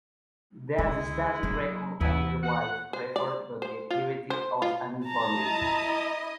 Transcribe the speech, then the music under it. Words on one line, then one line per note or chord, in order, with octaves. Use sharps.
The Stasi records on his wife referred to his activities as an informant.
C#2 D3 G#3 E4
F#3 A#3
D#2 E3 B3 E4
F#5
C5
D5
C5
F4
C5
F4
A5 A#5
E4 D#5 D#6